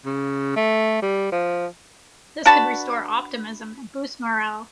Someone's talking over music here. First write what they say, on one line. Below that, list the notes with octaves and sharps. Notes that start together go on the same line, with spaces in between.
This could restore optimism and boost morale.
C#3
A3
G3
F3
D4 F#4 B4 A5